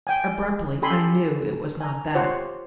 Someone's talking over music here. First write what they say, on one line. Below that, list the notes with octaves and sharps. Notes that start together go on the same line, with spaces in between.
Abruptly I knew it was not that.
G5 G#5
C#4 G4 A4 G#5 B5 C6
G#5 A#5
F4 G4 C5 C#5 F#5